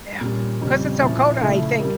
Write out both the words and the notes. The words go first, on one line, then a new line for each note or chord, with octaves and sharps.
ugh, 'cause it's so cold, and I think,
A#2 G3 C#4
F2 C#3 G3 C#4
A#2 F3 C#4 E4
C#3 F3 A3 E4
G3 A#3